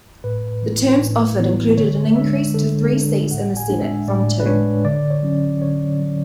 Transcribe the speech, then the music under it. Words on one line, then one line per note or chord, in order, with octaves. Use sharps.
The terms offered included an increase to three seats in the Senate from two.
A2 B4
E3 B3 E4
A2
E3 B3 E4
D3 C#5
G#3 D4 E5
D3 A4
G#3 D4
A2 F#5
G#5
G#3 D4
E5
A2 D5
B4
G#3 D4 C#5
D3 D5
C#5
F#3 C#4
D3 C#5
F#3 C#4